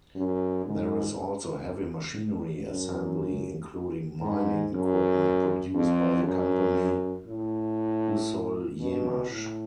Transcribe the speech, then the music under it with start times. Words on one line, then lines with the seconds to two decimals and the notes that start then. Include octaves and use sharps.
There is also heavy machinery assembly, including mining equipment produced by the company "Usolyemash".
0.15 F#2
0.65 G#2
2.70 F#2
4.21 G#2
4.73 F#2
5.74 F2
6.24 F#2
7.26 A2
8.80 B2
9.30 A2